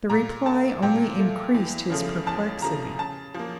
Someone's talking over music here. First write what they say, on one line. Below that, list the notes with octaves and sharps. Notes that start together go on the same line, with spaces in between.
The reply only increased his perplexity.
A#2 A#5
A3 A5
A#2 G5
A3
E2
C#3 F3 A3
E2 A5
C#3 F3 A3 A#5
C#3 A5
F3 A#3